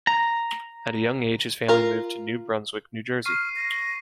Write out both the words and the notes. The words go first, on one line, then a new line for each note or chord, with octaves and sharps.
At a young age, his family moved to New Brunswick, New Jersey.
A#5
F4 A#4
C#6 F6 C7 D#7
A#6